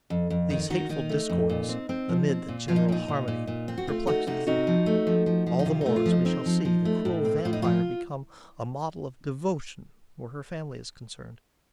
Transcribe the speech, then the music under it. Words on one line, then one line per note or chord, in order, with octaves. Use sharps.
These hateful discords amid the general harmony perplex the thinker, all the more as we shall see the cruel vampire become a model of devotion where her family is concerned.
F2
F2
D#3 D#4
D#3 D#4 F#4
D#3 D#4
A3
F2
A#2
C4
C4
F3
C4
A#2
F3 F4
D#4
A#2 D#4
A#2
A#2
A#2
C4
F#4
A3 F4
A3 D#4 F#4
C3 D#4 F#4
C3 D#4 F#4
F3
A3
F3
F3
F3
D#4
C3 F4
A3 D#4
F4
F3
D#4
C4 D#4
F3
F3
A3
A2
C4
A2 F4
D#4
F3 F4